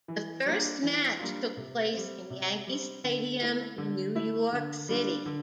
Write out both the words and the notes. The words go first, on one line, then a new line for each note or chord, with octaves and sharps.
The first match took place in Yankee Stadium, New York City.
E3
G3 A#3 D4 F4
E3
G3 A#3 D4 F4
C3
G3 C4
C3
G3 C4
D3
A3 E4
D3
A3 E4
D3
G3 D4 F4
D3